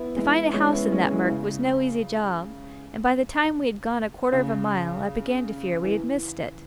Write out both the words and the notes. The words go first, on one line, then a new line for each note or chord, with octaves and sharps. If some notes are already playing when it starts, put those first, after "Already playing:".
To find a house in that murk was no easy job, and by the time we had gone a quarter of a mile I began to fear we had missed it.
Already playing: B3 E4
E3 G#3
G#3 C#4
B3 E4
G#3 C#4
E3 G#3
C#3
C#3
E3